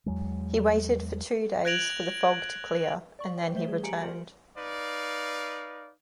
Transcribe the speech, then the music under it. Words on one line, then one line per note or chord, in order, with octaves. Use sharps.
He waited for two days for the fog to clear and then he returned.
E2 F#3 G#3
F#6 G#6 A#6 D7 F7 F#7
D5 C#6 F#7
C5 G5
E3 A3 C5 E5 G7
G3 G#4
G4 G#5 A#5 C#7 D7 F#7
F4 A#4 C5
D#4 B4 D5 F5